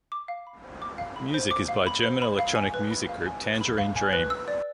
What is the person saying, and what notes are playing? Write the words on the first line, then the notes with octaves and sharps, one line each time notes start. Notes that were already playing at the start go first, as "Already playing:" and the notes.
Music is by German electronic music group Tangerine Dream.
D6
F5
B5
C5
D6
F5
B5
C5
D6
F5
B5
C5
B5
F5
G#5
B4
B5
F5
G#5
B4
B5
F5
G#5
B4
E6
D5